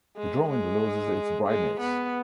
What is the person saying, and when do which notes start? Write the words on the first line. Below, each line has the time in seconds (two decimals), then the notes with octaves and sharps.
The drawing loses its brightness.
0.17 G#3
0.49 G#3
1.48 G#3
1.81 B3